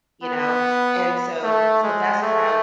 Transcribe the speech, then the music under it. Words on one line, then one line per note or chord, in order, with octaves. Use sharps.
You know? And so, so that's what I
B3
A3
G#3
A3